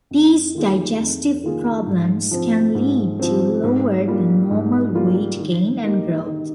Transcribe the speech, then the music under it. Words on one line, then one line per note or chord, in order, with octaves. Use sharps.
These digestive problems can lead to lower than normal weight gain and growth.
F2
D#3 A#3 F4 G#4
F2
D#3 A#3 F4 G#4
G#2
F3 C4
G#2
F3 C4
G#2
G3 A#3 F4
G#2
G3 A#3 F4
D#3
A#3 D#4 G4
D#3